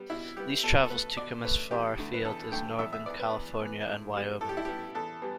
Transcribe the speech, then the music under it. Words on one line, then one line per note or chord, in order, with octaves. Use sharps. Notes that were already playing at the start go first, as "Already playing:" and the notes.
These travels took him as far afield as Northern California and Wyoming.
Already playing: G3 B3
B2 E4
G3 B3 G4
B2 A4
A4
A3 B4
B2 D5
A3 B4
E2 G4
D3 A3
B4
E2 A4
D3 A3 G5
E2 E5
E5
E3 B3 D5
B4
E2
E3 B3
A2
G3 B3
A2 A4
G4
E4
G3 B3 G4
E2 A4
E3 G3 B3